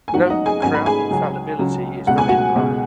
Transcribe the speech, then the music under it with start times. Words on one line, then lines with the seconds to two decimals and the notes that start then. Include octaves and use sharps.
Note that Crowd Infallibility is not implied.
0.08 G#5
0.14 G#1 G#2 F#3 B3 F#4 F#5
0.30 D#4 D#5
0.46 G#4 G#5
0.62 G#1 G#2 F#3 B3 G#5
0.74 B5
0.86 G#4 G#5
1.10 C#2 C#3 F#3
1.59 C#2 C#3 F#3
2.07 C#2 B2 G#3 F#5
2.18 G#5
2.29 F#4 F#5
2.56 C#2 B2 G#3